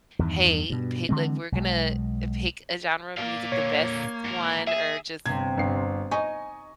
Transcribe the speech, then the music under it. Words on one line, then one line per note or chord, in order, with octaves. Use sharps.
"Hey, pay" like, "We're gonna, eh, pick a genre of music, the best one, or just"
E2 G2 D#3
G2 B2
D3 E3 G#3 C4
B1 G#3
A#3 D5 F5
A#2 D3 C#5
G#2 A#4
G#4 E5 E7
G1 C3 G#6
G1 C7
D#4 D#5 G#5 C#6